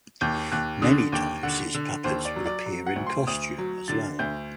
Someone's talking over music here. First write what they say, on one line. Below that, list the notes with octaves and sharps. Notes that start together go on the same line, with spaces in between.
Many times his puppets would appear in costume as well.
D#2 G6
D#2 F#6
D3 D#6
D#2 G5
D3 F#5
D3
D#2 C5
D5
F#3
D5
F#3
F#5
D2
C6
D2 D#6
F#3
D3 A6
D2 G6